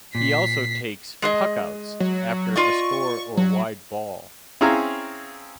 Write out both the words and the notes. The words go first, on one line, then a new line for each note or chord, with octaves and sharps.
He also takes "puckouts" after a score or wide ball.
A#2 B6 C7
G#3 G#4 D#5
F#3
F4 D5 D#5 C#6
F#3
C4 C#4 E4 G#4 F5 A#5